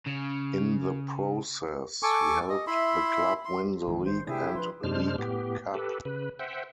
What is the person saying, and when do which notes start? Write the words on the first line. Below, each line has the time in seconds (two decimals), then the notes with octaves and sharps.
In the process he helped the club win the League and League Cup.
0.06 C#3
2.03 A4 G#5 C#6 D6
2.50 D#5
2.67 E4 E5 B5 C6
3.45 C6
3.87 A1 D#3 G#3
4.04 C5
4.27 C3 C4 D4 E4 G4 G#4
4.55 F3 D4 B4 C6
4.84 F#2 C3 G#3 D4 C5 F6
5.18 A2 B3 G4
5.74 G4 A4 B4
6.05 C#3 B4
6.39 C5 E5 F#5 G5